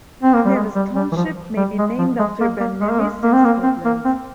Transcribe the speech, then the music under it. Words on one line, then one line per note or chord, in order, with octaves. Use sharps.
Nevis Township may be named after Ben Nevis, in Scotland.
C4
A#3
G3
G#3
G3
G3
E3
F3
G3
G#3
F3
G#3
A#3
A#3
G#3
A#3
G#3
A#3
C4
A#3
C4
A#3
C4